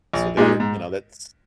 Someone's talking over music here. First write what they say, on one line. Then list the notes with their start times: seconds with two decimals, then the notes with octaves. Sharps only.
So they're you know, that's
0.13 A#1
0.37 A#2 G#3 D#4
0.60 G#2